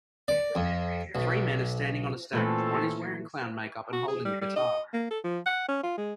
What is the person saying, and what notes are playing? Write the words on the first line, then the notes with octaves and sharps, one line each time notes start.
Three men are standing on a stage, one is wearing clown makeup and holding a guitar.
D5
F2
B1
A#2 E3 A3 C4 C#4 A4
F#4
G#4
G3
G3
D#5
A#3
A4
F3
F#5
C#4
F4
G#3